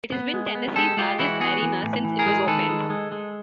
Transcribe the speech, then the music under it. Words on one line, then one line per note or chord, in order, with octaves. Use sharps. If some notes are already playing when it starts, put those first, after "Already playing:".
It has been Tennessee's largest arena since it was opened.
B3
G#3
B3
G#3 G4 A4
G#3 F4 G4
E3 E4 F#4
B3 F#4 G#4
E3
A2
E3
G#4 A#4
G#3
D#3 A4 B4
G#3
G#3
G#3